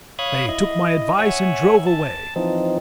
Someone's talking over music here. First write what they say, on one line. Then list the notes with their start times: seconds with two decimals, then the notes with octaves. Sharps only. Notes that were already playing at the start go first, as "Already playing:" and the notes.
They took my advice and drove away.
0.19 C#5 F5 B5 D#6 F#6 G#6
0.49 E4 D#5
1.19 C#5 E5 F#5 G#5
1.87 A5
2.36 E3 F3 C4 D#4